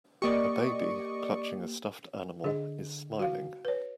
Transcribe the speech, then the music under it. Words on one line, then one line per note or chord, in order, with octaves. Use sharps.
A baby clutching a stuffed animal is smiling.
A#3 G4 D5 D#5 C#6
D3 G#4 D#5
F#4 F5
B4 C#5